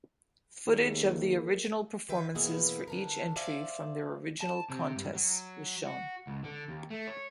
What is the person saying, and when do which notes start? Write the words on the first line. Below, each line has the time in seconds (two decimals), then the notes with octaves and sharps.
Footage of the original performances for each entry from their original Contests was shown.
0.67 D#2 A#3 G#4 A#4
2.09 D#3 B4 E5 G5
2.35 B2 E3 A#3 B3 E4 G#4
2.88 D3 A4 A#4
3.36 C5 D5 E5 F5 G#5
4.41 A5
4.70 C3
4.96 G2
5.15 F#3
5.86 F#4
6.27 C#2
6.44 D3
6.68 D#2
6.90 A3
7.07 C#5